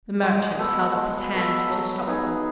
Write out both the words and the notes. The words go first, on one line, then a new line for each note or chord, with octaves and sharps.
The merchant held up his hand to stop her.
G#3
B3 F#4 A4
G#3
B3 F#4 A4
F#3
B3 D#4 G#4